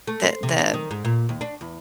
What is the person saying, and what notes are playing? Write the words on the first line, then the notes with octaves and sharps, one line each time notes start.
the the
A3
C5
C3
D4
D#3
G#2
A#2
D#2
D4
E2